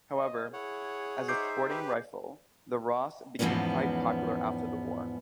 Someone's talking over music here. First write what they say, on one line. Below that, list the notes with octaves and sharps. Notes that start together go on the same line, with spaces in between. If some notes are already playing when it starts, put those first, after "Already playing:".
However, as a sporting rifle, the Ross became quite popular after the war.
D#5
E4 G#4 C#5 F#5
D#4 C5 E5 D6 G6 C7
G4 B4
E2 G#2 E3 F3 B3 C#4